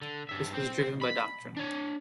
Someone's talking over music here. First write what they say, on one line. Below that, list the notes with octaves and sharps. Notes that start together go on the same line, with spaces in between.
This was driven by doctrine.
D3
G2 E5
C4
B5
D4 C#5